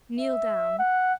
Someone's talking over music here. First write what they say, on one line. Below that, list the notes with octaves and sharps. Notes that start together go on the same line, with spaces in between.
"Kneel down."
E5
F#5